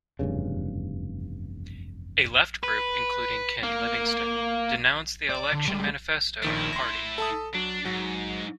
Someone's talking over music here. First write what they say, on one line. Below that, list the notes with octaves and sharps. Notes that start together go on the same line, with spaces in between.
A left group, including Ken Livingstone, denounced the election manifesto of the party.
F1 E2 G2 C#3
B4
A#3
D5
D3
G3 G#3
A#1 D#3 A3 E4 D7
C6 A#6
A4 A5 D#6
F#3 D4
G#2 F#3